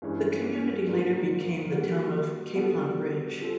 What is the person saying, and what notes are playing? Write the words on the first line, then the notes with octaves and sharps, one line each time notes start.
The community later became the town of Capon Bridge.
G2 E3 G#3 C#4
G#2 F3 A#3 D4 F4
G3 A#3 D4 F#4
G3 B3 D4 F#4 A4
G3 C4 F4 A4